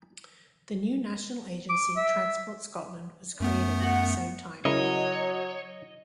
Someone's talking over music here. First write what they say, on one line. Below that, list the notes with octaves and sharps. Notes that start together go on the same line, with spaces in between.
The new national agency Transport Scotland was created at the same time.
D6
E5
F#2 A3 B3
C#3 F#3 E4 A#4 C#5 D#5